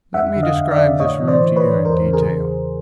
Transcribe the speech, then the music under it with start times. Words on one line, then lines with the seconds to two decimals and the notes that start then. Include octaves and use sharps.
Let me describe this room to you in detail.
0.14 F2 E5 F#5
0.36 D3
0.43 D#5 F5
0.57 F2
0.71 D5 E5
0.79 D3
1.00 A2 C#5 D#5
1.21 E3
1.28 C5 D5
1.42 E3
1.56 B4 C#5
1.64 E3
1.85 E2 A#4 C5
2.06 C#3
2.13 G#4 A#4